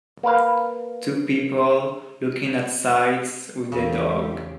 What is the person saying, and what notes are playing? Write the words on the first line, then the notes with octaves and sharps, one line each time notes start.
Two people looking at sights with their dog.
A#3 A#4 B4 F5
E2 C#3 G4 A4